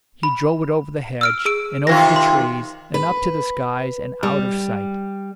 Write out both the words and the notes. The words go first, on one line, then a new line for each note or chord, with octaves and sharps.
He drove it over the hedge, and over the trees, and up to the skies, and out of sight.
B5
E6 F6 D7
G#4 E6 D7
C3 D#3 F4 A#6
C6
B4
G3